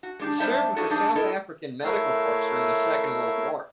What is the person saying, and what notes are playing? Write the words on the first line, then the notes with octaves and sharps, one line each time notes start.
He served with the South African Medical Corps during the second world war.
F#4
G#3 D4 G4
G3 G#3 D4 D#4 C5 E5
A#3 D4 E4 F#4 G#4 A4
F3 D4 D#4 G4 G#4 D5
E4 F4 A4 A#4 D#5
A3 E4 A#4 C#5 E5 F5